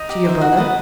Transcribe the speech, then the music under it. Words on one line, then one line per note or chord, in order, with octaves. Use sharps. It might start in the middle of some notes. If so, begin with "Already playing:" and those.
"To your brother?"
Already playing: D#4
G4
C5 E5
F#4
B4 D#5 F#5